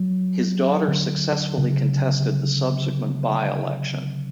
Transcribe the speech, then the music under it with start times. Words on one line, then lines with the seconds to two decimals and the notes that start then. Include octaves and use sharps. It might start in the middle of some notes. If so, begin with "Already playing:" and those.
His daughter successfully contested the subsequent by-election.
Already playing: F#3
0.88 D3
1.58 C#3